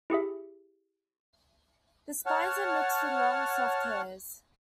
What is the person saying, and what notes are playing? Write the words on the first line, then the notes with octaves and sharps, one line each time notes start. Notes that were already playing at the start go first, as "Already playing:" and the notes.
The spines are mixed with long, soft hairs.
E4 G4 G#4 E5
C#5 F#5 A5 F6